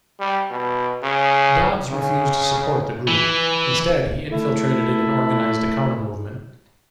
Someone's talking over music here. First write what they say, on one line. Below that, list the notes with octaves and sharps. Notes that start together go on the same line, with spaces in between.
Dobbs refused to support the group; instead, he infiltrated it and organized a counter-movement.
G3
B2
C#3
C#3
E3
A3 E4